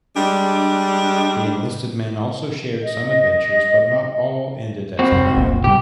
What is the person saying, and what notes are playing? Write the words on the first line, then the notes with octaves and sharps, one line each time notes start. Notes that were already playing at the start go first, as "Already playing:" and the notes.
The enlisted men also shared some adventures but not all ended as planned.
G3 G#3 D4
D#5
C4 F#4
F#2 C3
F1 C2 A#2
G#2 C3 G3 G4